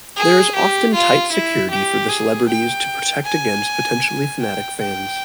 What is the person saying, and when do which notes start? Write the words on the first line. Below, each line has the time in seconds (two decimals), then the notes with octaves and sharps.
There is often tight security for the celebrities to protect against potentially fanatic fans.
0.17 G#4
0.55 G4
0.94 F4
1.32 E4
1.71 G4
2.09 G#4
2.48 G5
3.25 G#5
4.41 G5
4.80 G5